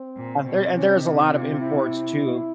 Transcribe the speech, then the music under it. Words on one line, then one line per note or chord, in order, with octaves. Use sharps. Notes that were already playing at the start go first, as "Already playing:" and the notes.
there and there's a lot of imports too.
Already playing: C4
A#2
B2
C3 C#4
D#4
F4
E4